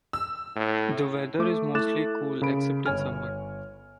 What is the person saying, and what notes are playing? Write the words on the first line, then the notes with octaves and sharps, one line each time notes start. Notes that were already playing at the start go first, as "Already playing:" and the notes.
The weather is mostly cool, except in summer.
E6
A2
A3 D6
A3 E4 D6 F#6 A6 E7
C#3 A#4 B5 D7
G1 C#5 G#5 F6